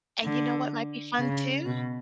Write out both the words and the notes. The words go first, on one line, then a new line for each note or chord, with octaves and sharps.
And you know what might be fun too?
D3
C#3
B2